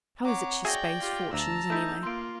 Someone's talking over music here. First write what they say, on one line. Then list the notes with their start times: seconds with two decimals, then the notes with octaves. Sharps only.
How is it she spaes fortunes any way?
0.25 C4 C#5 F#5 A#5 D6
0.65 F#4 G#4 D5 E5 G5 G#6 A#6
1.00 F4 G4
1.33 D2 A5 A#5 E6
1.70 A3 D#4 E4 E6 G6
2.03 A#3 F4 C6 D7